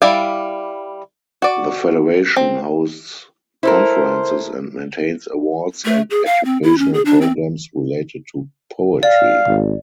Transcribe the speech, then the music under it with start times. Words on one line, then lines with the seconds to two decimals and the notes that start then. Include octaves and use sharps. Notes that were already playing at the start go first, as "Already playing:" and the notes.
The federation hosts conferences and maintains awards and educational programs related to poetry.
0.02 G3 E4 D5 E5 F5
1.42 F#4 D5
2.36 C4
3.63 E4 A4 A#4 C5
5.85 A3
6.10 G#4
6.26 F5
6.45 C4
6.63 E4
6.78 C#4
6.94 G#4
7.05 D4
7.22 C4
9.03 D5 F5
9.47 G#1